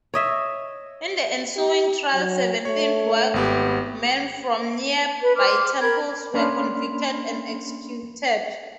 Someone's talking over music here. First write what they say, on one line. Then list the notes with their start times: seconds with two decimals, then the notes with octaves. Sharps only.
In the ensuing trial seventeen work-men from near-by temples were convicted and executed.
0.14 C#5 D#5 E5
1.56 G4
2.14 F#3
2.65 A3 C#5
3.34 G#1 B3 G4
5.22 B4
5.36 C5 D6 F6
5.81 A#4 G5 B5 G#6
6.34 A#3 C#4 D4 B5 C6 F6